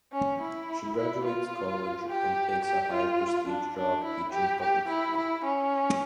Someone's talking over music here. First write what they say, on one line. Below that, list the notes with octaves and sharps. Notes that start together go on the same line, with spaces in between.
She graduates college and takes a high-prestige job teaching public school.
C#4
E4
E4
F4
G4
G4
F4
D4
D4
E4
G4
G4
E4
E4
C#4